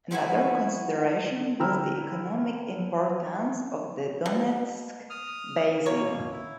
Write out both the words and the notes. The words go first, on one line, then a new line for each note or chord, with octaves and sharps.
Another consideration was the economic importance of the Donetsk basin.
F3 E4 F#4 G#5
D3 E4 G5 A#5 E6 F6
B2
D#6 F6
B2 A#3 A#4 C#5
E4